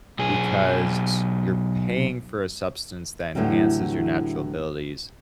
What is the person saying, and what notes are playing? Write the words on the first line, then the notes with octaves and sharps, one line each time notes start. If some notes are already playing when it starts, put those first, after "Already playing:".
because you're paying for a substance that enhances your natural abilities,
B1 G#4
A2 D3 E3 F#3 G3